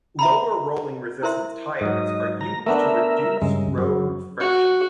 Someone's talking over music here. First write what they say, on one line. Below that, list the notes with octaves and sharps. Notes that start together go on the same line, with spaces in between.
Lower rolling-resistance tires are used to reduce road friction.
E5 A#5 B5
E4 A#4 C5 E5 C6
G#2 F#3 D#5
A#5
A3 B3 D4 A#4 E5
G2 C#3 G#3
F#2 F#3
F#4